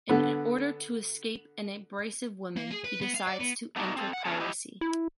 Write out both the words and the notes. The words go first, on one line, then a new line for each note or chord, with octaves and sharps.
In order to escape an abrasive women, he decides to enter piracy.
D3 B3
A#3
G#4
B4
B3
F5
D5
B3
A3 B3 D4 D#4 F#4
C4 G#4 A4
F#5
B3 C#4 D4 G#4 A4
E4 G4 D#5
E4